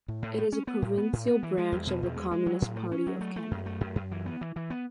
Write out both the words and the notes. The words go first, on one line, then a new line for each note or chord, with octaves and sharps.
It is a provincial branch of the Communist Party of Canada.
A2
A2
A3
C#4
B3
A2
B3
A2
B3
E3
G#3
E2
B2
E2
G#3
G#3
F#3
A2
A3
C#4
F#3
A3
A3
F#2
A3
F#2
F#2
E3
B3
E3
E3
B3